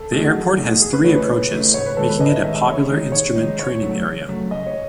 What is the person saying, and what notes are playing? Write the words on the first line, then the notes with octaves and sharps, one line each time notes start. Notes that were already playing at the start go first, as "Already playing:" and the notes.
The airport has three approaches, making it a popular instrument training area.
Already playing: A4
A3 D#4 G#4
F#4
F#3
A3 D#4
E2 G#4
B4
C#3 E3 A3 D#4 C#5
B4
E2
C#3 E3 A3 D#4
G#2 C#5
B4
D#3 G#3 A4
B4
G#2 D#5
E5
D#3 G#3 E5
D#5
D#2 C#5
D#3 G#3 D#4
D#2 C#5
D#3 G#3 D#4
C#2 C#5
C#3 F#3 A3
C#2
C#3 F#3 A3
C#2 D#5
C#5